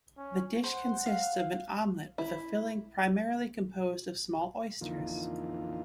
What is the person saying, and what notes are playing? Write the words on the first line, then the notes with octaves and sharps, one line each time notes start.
The dish consists of an omelette with a filling primarily composed of small oysters.
C#4
C5 F#5
F5
E4
F2 D3 E3 A#3 D#4 F4